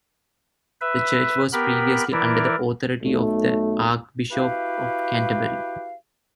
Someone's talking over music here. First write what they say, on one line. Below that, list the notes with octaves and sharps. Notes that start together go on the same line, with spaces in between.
The church was previously under the authority of the Archbishop of Canterbury.
B4 E5
B3 G4 A#4 B5
E3 E4 A#4 D5
B1 A3
E4 F#4 G4 B4 F5